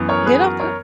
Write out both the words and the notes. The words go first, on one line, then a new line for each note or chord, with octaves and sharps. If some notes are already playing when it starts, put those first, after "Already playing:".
They don't put
Already playing: F#2 E3 B3
A#4 C#5
G#4 B4
F#4 A#4
A#4 C#5